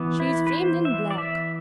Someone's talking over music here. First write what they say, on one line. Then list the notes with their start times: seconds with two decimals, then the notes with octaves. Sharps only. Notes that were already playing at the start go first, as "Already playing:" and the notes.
'She's framed in black.
Already playing: E3 B3
0.20 E4
0.47 B4
0.52 C5
0.85 E5
1.11 D5
1.18 E5